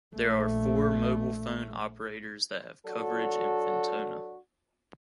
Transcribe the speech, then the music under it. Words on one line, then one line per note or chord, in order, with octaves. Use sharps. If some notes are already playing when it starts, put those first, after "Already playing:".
There are four mobile phone operators that have coverage in Fintona.
A#1 A3
F#3 D4 F#4 A4